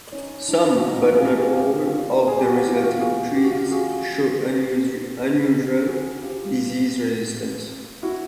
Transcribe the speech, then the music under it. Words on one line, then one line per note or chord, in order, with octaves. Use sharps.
Some, but not all, of the resulting trees show unusual disease resistance.
C#4 D#4
D4 E4
F#4
D#4 F4
E4 F#4
G#4
F4 G4
F#4 G#4
F4 G4
G#4
G4
F#4
F4 G4
E4
F4
F#4
G4
F#4 G#4
G4
F#4
F4 G4
F#4 G#4
F#4 G#4
F4 G4
E4 F#4